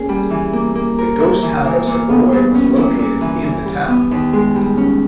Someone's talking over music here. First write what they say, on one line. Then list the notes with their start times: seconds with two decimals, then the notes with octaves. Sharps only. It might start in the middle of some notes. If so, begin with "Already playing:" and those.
The ghost town of Savoy was located in the town.
Already playing: A#2 A#3 C#4 G#4
0.09 G3
0.30 E3
0.53 A#3
0.75 A#3
0.98 A#4
1.20 E4
1.42 E3
1.64 E3
1.87 A#2
2.10 B3
2.32 G2
2.55 C#4
2.77 A#2
2.99 A#2
3.21 E3
3.44 E3
3.65 G3
3.88 B3
4.11 D#2
4.33 G#3
4.56 G3
4.78 C#4